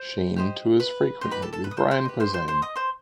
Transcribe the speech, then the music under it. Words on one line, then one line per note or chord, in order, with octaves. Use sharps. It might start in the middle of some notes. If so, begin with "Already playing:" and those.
Sheen tours frequently with Brian Posehn.
Already playing: C5
G4 C5 D#5
B4 B5
D#4 G4 B4 C5 C6
B4 B5
A4 A5
A4 A5
B4 B5
D#6
C5 C6
C5 C6
D#5
G4 B4
C5 C6
C5 C6
C5 C6
D#5 D#6
C5 C6